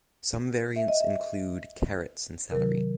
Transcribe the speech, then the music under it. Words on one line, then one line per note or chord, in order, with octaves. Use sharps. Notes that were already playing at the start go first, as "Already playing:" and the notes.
Some variants include carrots and celery.
E5
D#5
E5
C3 D#3 F#3 A#4